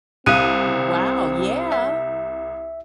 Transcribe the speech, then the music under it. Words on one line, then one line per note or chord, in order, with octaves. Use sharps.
Wow, yeah!
C2 C4 F5 D#6 F#6 D#7
E5